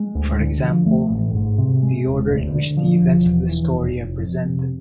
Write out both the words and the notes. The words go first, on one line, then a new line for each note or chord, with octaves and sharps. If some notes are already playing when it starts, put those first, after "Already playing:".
For example, the order in which the events of the story are presented.
Already playing: G#3
D2
D3
F3
A3
A1
G#2
C3
G#3
E1
D2
D3
F3
E1
E2
E3
F1
F1
F2
C3